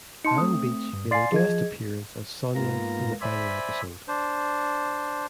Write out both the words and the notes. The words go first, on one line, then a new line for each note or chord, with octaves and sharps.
Ann Beach made a guest appearance as Sonia in the final episode.
D#4 A5 C6 C#7
A3 C4 D#6
G2
D5 F5 G#5 C6 A6 C7
F3 G#4 D#5 G#6
G#2 A#3 B3 F4 A#5
C5 D5 E5 G#5 B5
D4 C5